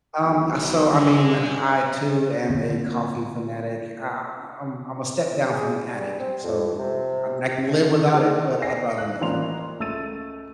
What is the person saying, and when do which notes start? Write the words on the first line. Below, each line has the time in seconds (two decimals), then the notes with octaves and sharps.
Um, I so, I mean, I too am a coffee fanatic. I I'm I'm a step down from an addict, so, I mean, I can live without it, but I'd rather not,
0.25 B1
0.56 D3
0.91 G2 G#3
1.35 G2
2.50 D3 A#3 C4
5.50 G#4
5.90 G3
6.19 C4
6.43 F2
6.79 C3
7.67 A3
8.13 A#3 E4 G4 G#4 C5 D5
8.62 D5 G#5 A#6 C7
8.98 F5 F#6
9.21 A1 F3 A#3 D5 C6 F7
9.80 C#2 A3 E6 A6 D#7